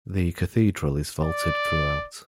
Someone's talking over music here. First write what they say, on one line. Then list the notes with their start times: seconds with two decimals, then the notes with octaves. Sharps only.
The cathedral is vaulted throughout.
1.23 D5